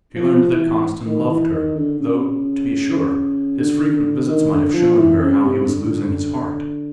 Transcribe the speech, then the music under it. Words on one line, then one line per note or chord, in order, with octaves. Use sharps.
She learned that Conniston loved her, though, to be sure, his frequent visits might have shown her how he was losing his heart.
F3
E3
D#3
E3
D#3
D3
C#3
D3
D3
D#3
D3
F3
E3
C#3
C3
D3